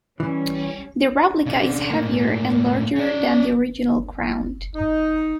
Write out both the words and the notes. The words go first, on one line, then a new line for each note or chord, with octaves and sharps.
The replica is heavier and larger than the original Crown.
E3 G3 C#4
C#3 D4
A2 A#3
C#4 D5
D#4